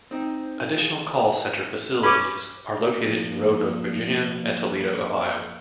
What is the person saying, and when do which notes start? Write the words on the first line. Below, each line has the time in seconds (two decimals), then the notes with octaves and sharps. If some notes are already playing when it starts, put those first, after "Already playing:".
Additional call center facilities are located in Roanoke, Virginia and Toledo, Ohio.
0.11 C4 D#4
0.76 F4 G#4
2.03 C#4 B4 B5 D6
2.95 A#2 F3